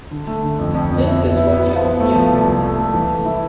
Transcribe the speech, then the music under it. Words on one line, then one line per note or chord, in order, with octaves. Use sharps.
This is what we all feel.
D3
A3
D3
F2
F2
F2
E4
B3
E4
B3
B3
B3
A3
F3
C2
F3
A3
A3
E3
A3
E4